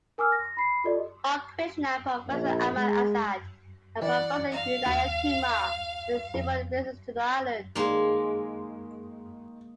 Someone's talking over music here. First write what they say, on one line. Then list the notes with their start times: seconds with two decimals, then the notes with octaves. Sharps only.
R. Krishnan, Professor Amal Azad and Professor Udayakumar made several visits to the Island.
0.18 A#4 G#5 D6 E6 F6
0.32 A#6
0.57 B5 C7
0.84 F4 G4 A4 D5 D#5
2.27 A#1
2.77 G#3
4.02 E3 D5 F#5
4.50 F5
4.86 D#2
6.34 F2
7.75 D#3 G#3 A#3